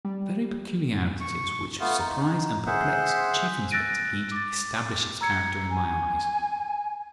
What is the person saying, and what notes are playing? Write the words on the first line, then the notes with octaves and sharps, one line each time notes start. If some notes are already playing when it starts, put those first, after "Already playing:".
The very peculiarities which surprise and perplex Chief Inspector Heat establish its character in my eyes.
G3
C#6
A3 B3 F4
D#4
G#4 C5 E5 F#5
E6 F#6 A6 A#6 D7 D#7
D6 A6
A#5 E6 G#6 C#7
G#5